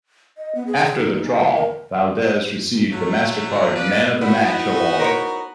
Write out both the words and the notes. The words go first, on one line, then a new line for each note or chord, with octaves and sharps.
After the draw, Valdez received the MasterCard Man of the Match award.
D#5
B3
G#4
G#4
D#4
D#4
G#5
A#4
F#3 A3
F3 B4 D5
B3 D#4 E4 F#4
A#4 C5 C#5